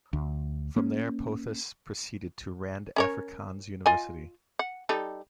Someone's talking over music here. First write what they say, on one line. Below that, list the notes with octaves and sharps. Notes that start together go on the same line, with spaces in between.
From there Pothas proceeded to Rand Afrikaans University.
D2
A#3 C#4
C#4 A#4 C#5
F4 D#5 G#5
F#5
G3 D#4 A4